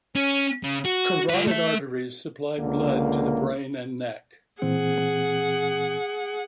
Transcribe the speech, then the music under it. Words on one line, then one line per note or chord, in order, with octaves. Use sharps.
Carotid arteries supply blood to the brain and neck.
C#4
C#3
F#4
F4 B4
A3 E5
C#2 D3 A#3
A#2 E3 C4 G#4 F#5